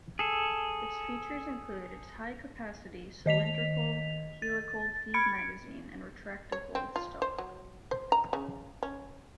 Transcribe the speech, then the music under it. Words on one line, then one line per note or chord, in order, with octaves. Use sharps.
Its features include its high-capacity, cylindrical, helical-feed magazine and retractable stock.
G#4 A4
D#3 D#5 B6 F7
A6
B5 G#6 C#7 D7
C#5
C4
F4
C5
F#3
C5
A#5
C#3
C#4